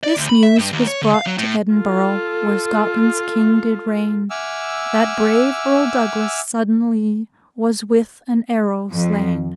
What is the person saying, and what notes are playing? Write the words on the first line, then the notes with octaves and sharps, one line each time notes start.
This newes was brought to Eddenborrow, Where Scotlands king did raigne, That brave Erle Douglas suddenlye Was with an arrow slaine.
D5
D2
B5
E5
G2
D#2
C#5
D3
F5
F#3
A2
F4 A4
E5 F#5 G#5 D6 E6 F6
F2